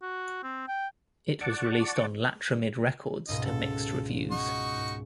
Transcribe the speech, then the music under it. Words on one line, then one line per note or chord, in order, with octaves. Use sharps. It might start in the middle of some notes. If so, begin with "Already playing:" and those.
It was released on Latyramid records to mixed reviews.
F#4
C4
G5
D5 F#5 A5 C#6 D6
C#2 G#2 B2 D#5
A4
D#4 F#4 C#6
G#2